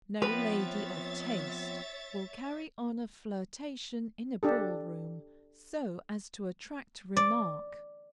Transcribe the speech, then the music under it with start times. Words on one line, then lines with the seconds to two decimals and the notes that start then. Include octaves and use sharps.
No lady of taste will carry on a flirtation in a ball room, so as to attract remark.
0.22 F3 B3 C4 B4 C#5 E5 A6
4.43 D4 G4 A4
7.17 D5